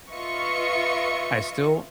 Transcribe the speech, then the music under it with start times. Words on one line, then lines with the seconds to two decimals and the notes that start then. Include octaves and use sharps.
I still
0.12 F4 B4 D#5 E5 C#6 C#7